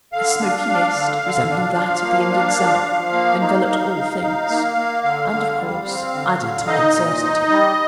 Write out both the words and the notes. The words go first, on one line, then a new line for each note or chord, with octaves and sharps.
A smoky mist, resembling that of the Indian summer, enveloped all things, and of course, added to my uncertainty.
D3 F5
D4
D4
D3
D3
D4
F3
A#3
D4
F3
F3
A#3
D#4 F5
D#4
D#4
D#4
A#3
A#3
D3 F5
D3
G3
C4
D3
D3
D#4 D#5
A#2
D#4
G3